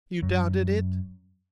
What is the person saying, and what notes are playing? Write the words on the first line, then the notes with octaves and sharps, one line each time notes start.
"You doubted it?"
F#2